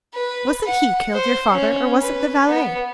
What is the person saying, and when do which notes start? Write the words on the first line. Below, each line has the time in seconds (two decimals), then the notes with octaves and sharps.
Was it he killed your father or was it the valet?
0.14 B4
0.66 F#5
1.13 C5
1.50 C#4
2.01 B4
2.48 B3